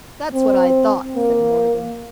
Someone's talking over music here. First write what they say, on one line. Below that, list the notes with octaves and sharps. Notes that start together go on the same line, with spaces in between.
"That's what I thought," said Morgan.
C4
A#3